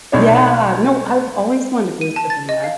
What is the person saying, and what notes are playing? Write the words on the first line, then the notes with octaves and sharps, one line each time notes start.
Yeah. No, I've always wanted to go to Sedona.
B1 B2 D4 D#4 C#5
D#7
A5
A6
D#5
F5